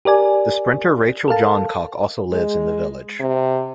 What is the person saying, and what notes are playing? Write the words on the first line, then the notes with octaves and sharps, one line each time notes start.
The sprinter Rachel Johncock also lives in the village.
G4 A#4 D5 G#5
A4 A#4 F5 A5
G#3
C3